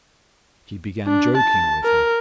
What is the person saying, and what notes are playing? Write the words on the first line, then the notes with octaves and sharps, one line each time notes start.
He began joking with her.
D4
A5
A#4